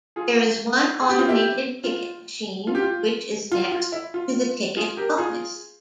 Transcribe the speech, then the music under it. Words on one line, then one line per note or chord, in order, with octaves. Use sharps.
There is one automated ticket machine, which is next to the ticket office.
F4 G#4
G#4
G4
F4
E4 G4
F4
F4
G4
F4
F4
F4
E4
F4
F4
F4 G#4
G4 A#4
F4 G#4